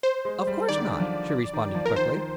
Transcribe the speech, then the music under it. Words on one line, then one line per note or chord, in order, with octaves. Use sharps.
"Of course not," she responded, quickly.
C5
G#3
G3
D#3 D5
D3
D#3
F3
D#3
F3
A#4
D#3 C5
D#3